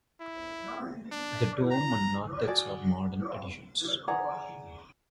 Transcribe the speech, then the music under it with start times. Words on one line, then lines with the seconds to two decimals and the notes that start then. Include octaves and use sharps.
The dome and narthex are modern additions.
0.21 E4
1.12 D4
1.71 A#5
2.47 F#4 G#4 D5 A5
4.08 G#4 D5 F#5 A#5